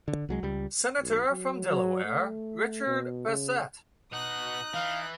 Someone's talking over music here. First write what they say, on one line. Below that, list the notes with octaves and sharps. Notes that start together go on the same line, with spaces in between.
Senator from Delaware, Richard Bassett.
D3
C2 F#3 G#3
C#2 G3
B1
F#3
F#3
A3
B2
C#3
B2 D#4 F#5 D#6 F#6
E3 F5